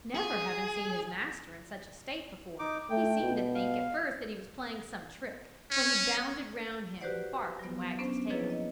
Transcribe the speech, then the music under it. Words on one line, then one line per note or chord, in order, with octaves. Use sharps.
Never having seen his master in such a state before he seemed to think at first that he was playing some trick, for he bounded round him, and barked, and wagged his tail.
G#4
D#4 D6
A3 G5
B2
F5
C#4
F#4 G4 B4 C5 D5 F#5
F#3 B3
B3 C#4 D4 C5
F3 A#3 E4 G#4 B4 C#5
D#5